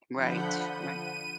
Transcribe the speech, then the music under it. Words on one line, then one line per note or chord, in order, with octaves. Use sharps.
Right, right.
D3 F3 F#5 B5 G6
D#7